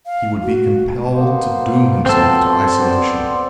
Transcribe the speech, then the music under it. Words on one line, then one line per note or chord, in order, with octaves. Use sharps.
He would be compelled to doom himself to isolation.
F5
F#4
A#3 B3 C5
F3 F#3 B3 C4 A4
B3 C5 D5